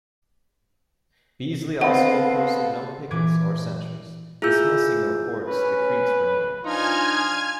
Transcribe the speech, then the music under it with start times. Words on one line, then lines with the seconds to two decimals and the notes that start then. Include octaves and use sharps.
Beasley also posted no pickets or sentries, dismissing the reports the Creeks were near.
1.81 B3 C4 A4 D#5 F5 F#5 B5
3.11 A#2 E3 D6 G#6
4.42 E4 F4 G#4 E6 G6
5.47 C#4 B4
6.66 F3 D4 D#4 F4 G#5 F6 G#6